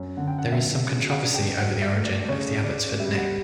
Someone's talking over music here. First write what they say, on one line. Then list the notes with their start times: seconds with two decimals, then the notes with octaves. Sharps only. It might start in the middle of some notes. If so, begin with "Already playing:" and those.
There is some controversy over the origin of the Abbotsford name.
Already playing: F#2
0.17 D3 F#5
0.28 G5
0.38 F#5
0.52 F#3 E5
0.87 C#3
1.11 F#5
1.23 D4
1.34 G5
1.58 F#3 F#5
1.81 E5
1.93 A3
2.05 D5
2.29 C#3 C#5
2.63 C#3 D5
2.99 G3 E5
3.17 F#5